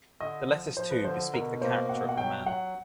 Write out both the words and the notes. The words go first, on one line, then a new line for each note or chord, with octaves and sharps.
The letters, too, bespeak the character of the man.
D3 D#5
F3
F3 C5
B4
D3 C5
B2 A#4
A#3 C5
B2 F#5
F#5
F#3 G5
F#3 F#5